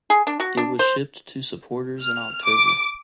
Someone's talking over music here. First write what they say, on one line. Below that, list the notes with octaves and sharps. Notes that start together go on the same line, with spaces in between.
It was shipped to supporters in October.
G#4
D4
F#4
D4
C5
F6
D6